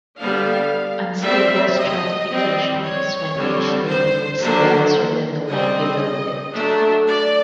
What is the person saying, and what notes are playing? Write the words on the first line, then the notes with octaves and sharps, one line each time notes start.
Unstable stratification is when each layer is denser than the one below it.
D3 G3 B3 D4 F5
G3 C4 E5
D#5
G3 C4
C#5
D3 G3 C4
C5
D3 F#3 A#3 D4 C5
G3 C4 D#5
F#3 A3 D4
D5